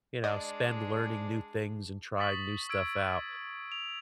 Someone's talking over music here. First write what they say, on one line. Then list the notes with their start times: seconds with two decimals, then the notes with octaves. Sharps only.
you know, spend learning new things and trying new stuff out.
0.24 G#3 D4 D5 D#5
2.18 C#6 D#6 A6 B6 F#7
2.70 E6 G#6 D7
3.72 F7